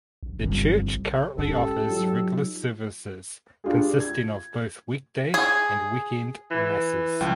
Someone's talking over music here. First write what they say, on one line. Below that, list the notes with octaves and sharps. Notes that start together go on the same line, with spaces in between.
The church currently offers regular services consisting of both weekday and weekend masses.
A#1
G1 C2
G#2 C#4 G4 A4
F#3 D#4 F4
D4 F4 G4 G#4
G#6
G#4
E3
C#2 F3 G5